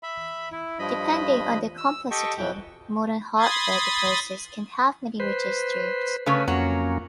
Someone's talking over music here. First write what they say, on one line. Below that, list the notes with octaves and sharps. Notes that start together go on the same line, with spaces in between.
Depending on their complexity, modern hardware devices can have many registers.
E5 B5
E4
G2 F3 D#5 B5
E6
G4 A4 D#5 G5 A5 C#6
F2 B2 E3 G5
B5 C6 D#6 G#6 A6
B4 C5
C#3 A3 C#4 B4
F2 F#3 A#3 C#4 F#5